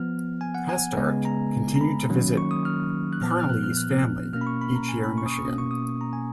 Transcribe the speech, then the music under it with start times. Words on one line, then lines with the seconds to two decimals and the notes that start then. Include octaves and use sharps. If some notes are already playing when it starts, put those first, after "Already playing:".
Hastert continued to visit Parnalee's family each year in Michigan.
Already playing: F3 B3 F6
0.41 G#5
0.55 F#5
0.69 G#5
0.97 C#3 G#3 B3
1.25 A#5
1.76 A#5
1.81 B5
2.09 D#3 F#3 A#3 C#4
2.37 C#6
2.51 D#6
2.65 F6
3.13 F#6
3.21 A#2 F3 B3 F6
3.30 F#6
3.40 F6
3.49 F#6
3.63 F6
3.77 F#6
4.33 B2 A#3 C#4 F6
4.41 B5
4.47 C#6
4.61 B5
4.75 A#5
4.89 G#5
5.04 B5
5.18 C#6
5.26 D#6
5.31 C#6
5.45 B2 A#3 C#4 D#6
5.58 C#6
5.71 D#6
6.01 A#5
6.13 G#5